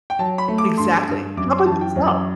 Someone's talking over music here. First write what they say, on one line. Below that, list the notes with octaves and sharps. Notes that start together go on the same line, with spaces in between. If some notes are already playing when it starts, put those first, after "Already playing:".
Exactly. How about yourself?
G5
F#3 A5
B5
A3
D6
G2 C6
G2
F#2 D6
C6
E3 A5
G5
F#2